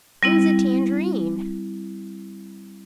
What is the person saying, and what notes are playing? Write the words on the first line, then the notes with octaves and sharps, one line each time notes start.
It was a tangerine.
G3 C4 E4